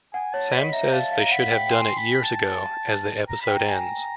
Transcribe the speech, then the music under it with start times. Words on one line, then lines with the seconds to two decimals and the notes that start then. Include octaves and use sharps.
Sam says they should have done it years ago as the episode ends.
0.14 F#5 G#5
0.34 C#5 A5
0.52 D#5 B5
0.73 E5 A#5
0.92 F5 A5
1.12 F5
1.20 A#5
1.31 F#5 B5
1.51 G5
1.67 G5
1.70 G#5 C6
1.97 B5
2.23 A5
3.28 A#5
3.41 B5
3.47 G5
3.54 A#5
3.68 G#5